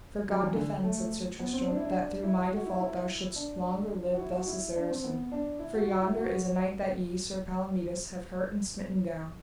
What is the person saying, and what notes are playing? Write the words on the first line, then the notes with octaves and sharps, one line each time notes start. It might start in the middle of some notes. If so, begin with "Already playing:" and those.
For God defend, said Sir Tristram, that through my default thou shouldst longer live thus a Saracen, for yonder is a knight that ye, Sir Palomides, have hurt and smitten down.
F#3
E3
D3
A3
B3
C4
D4
E4
D4
E4
F#4
F#4
E4
E4
D4
F#4
E4
F#4
E4
D4
C4
B3
D4
E4
F#4
F#4
E4
F#4